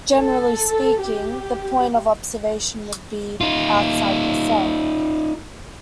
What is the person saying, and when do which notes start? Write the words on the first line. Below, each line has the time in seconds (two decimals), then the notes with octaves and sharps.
Generally speaking the point of observation would be outside the cell.
0.16 A4
1.01 G4
3.41 D#4 F4